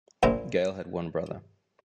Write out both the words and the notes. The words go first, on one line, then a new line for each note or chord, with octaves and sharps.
Gale had one brother.
A#1 A#2 E4 C5 A#5